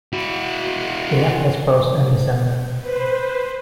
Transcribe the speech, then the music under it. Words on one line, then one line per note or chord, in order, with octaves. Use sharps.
He left his post in December.
E4 F#4
B4 C5